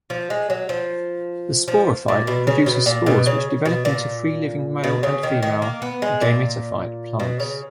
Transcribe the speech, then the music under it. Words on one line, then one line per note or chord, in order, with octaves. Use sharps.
The sporophyte produces spores which develop into free-living male and female gametophyte plants.
F3
G#3
F#3
F3
F3
A#2
B2
C#3
B2
A#2
B2
C#3
B2
A#2
B2
C#3
D#3
D#3
A#3
B3
G#3
A#2
B2
C#3